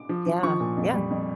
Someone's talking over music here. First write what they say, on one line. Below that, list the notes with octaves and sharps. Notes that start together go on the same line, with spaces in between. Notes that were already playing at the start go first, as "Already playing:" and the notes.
Yeah. Yeah.
Already playing: D6
F3
F3
F3 C#6
A#2
F2
G3
F2